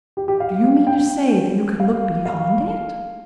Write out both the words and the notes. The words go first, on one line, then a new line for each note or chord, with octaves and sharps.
"Do you mean to say that you can look beyond it?"
G4
G4
F5
G5
F5
F5